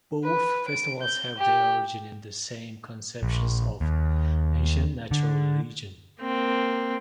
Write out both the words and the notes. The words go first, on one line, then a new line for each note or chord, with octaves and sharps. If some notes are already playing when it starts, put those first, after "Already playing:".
Both festivals have their origin in the same conceptions of ancient natural religion.
B4
D7
G6
G4
A#1
D#2
D3
A#3 C4